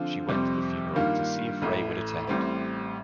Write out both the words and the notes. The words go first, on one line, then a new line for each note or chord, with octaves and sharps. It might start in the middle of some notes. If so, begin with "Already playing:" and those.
She went to the funeral to see if Ray would attend.
Already playing: D3 F3 C4 F4
F2 C3 G3 C4
G2 D#3 G3 A#3 F4
A1 A2 A3
A1 A2 G3 C4